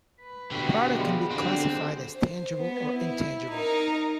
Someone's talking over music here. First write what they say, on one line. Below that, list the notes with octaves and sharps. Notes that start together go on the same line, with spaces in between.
A product can be classified as tangible or intangible.
B4
B2 D3 F#4 G4
F3 G3 G#3 B3
D3 C4 F#4 G#4
C5
B3
E4
D#4 A#4